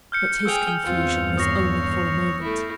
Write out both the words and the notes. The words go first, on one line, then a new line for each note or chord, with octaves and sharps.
But his confusion was only for a moment.
F6 G6 C#7
G#4 G5 E6 F7
E2 G2 C4 F4
C#5 D#6 A#6 C7
A3 E4